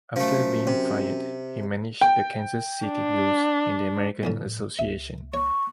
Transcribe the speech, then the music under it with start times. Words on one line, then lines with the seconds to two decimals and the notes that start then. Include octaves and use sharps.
After being fired, he managed the Kansas City Blues in the American Association.
0.16 F#2 F3 A3
0.67 C3
2.01 G5
2.86 D4
4.23 C2 F2 A2 D3
4.79 C#2 E5
5.34 C#5 C#6